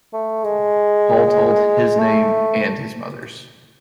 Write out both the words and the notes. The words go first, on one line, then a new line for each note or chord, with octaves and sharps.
Paul told his name and his mother’s.
A3
G#3
A3